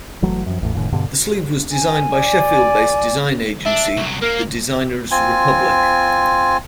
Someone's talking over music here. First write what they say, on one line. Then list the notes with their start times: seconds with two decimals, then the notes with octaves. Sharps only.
The sleeve was designed by Sheffield-based design agency The Designers Republic.
0.22 G1 E3 F#3 A3
0.46 F#2 F3
0.61 A1 E2 A2
0.75 F1 A2 D#3
0.92 G2 B2 D3 G3
1.71 G#5
2.13 D5
3.66 D4 E5
3.97 C2 F#3
4.22 A#3 A#4
5.11 C4 F4 G#5